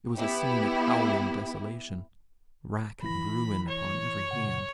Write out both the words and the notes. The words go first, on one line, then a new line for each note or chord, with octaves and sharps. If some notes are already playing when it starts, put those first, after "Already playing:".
It was a scene of howling desolation, rack and ruin upon every hand.
B3 E4 G4
E3 E4 B5 A#6
C#5
A#2 C#3 F#5